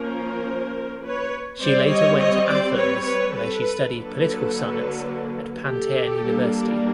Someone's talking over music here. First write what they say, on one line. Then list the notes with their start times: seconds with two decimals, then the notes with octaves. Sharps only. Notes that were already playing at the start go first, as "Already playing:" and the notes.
She later went to Athens where he studied political science at Panteion University.
Already playing: F3 A#3 C#4 A#4 C5
1.04 B4 C#5
1.61 G3 C4 C5 D5
1.90 C#5 D#5
2.19 C#5 D#5
2.47 C5 D5
2.76 B4 C#5
3.05 B4 C#5
3.34 A4 B4
3.92 D3 F#3 A#3 A4 B4
5.64 G4 A4
6.22 G3 A#3 D4